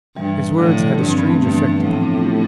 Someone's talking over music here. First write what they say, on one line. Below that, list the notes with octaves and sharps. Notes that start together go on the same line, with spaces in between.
His words had a strange effect upon me.
G2 E3 G3
A2 D3 F3
G2
C4
B3
A3
G2 E3 G3
A2 F3 A3
B3
A3 C4
B3 D4
D4 F4
E4 G4